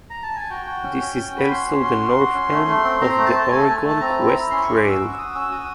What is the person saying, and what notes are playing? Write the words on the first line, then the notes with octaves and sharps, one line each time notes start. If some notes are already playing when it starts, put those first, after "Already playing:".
This is also the north end of the Oregon Coast Trail.
A#5
A5
G#5
F#4 G5
F#4
C#4
C#4
C#4
F#4 B5
C#4 C6
C#4
F#4
F#4
F#4
C#4
A3
A3
C4
C4 A#5
A3
A5
A3
A3 G#5
A3 A5
A3 A5
C4 A#5
E4
A#5
E4
C#4 C6
C#4 C#6
D6
F#4 E6
F#4
E6
F#4 D#6
C#4 E6
F#4 D#6